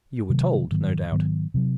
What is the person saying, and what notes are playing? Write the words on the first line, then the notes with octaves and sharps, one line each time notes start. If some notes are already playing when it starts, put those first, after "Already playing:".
"You were told, no doubt."
C3 D#3 F#3 A3
G#2 D#3 F#3 B3
G#2 D#3 F#3 B3
C3 D#3 F#3